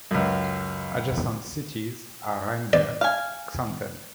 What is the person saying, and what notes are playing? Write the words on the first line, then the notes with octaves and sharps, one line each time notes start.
Adjacent cities are Rheinberg, Xanten.
C#2 F#2
D5
F5 G#5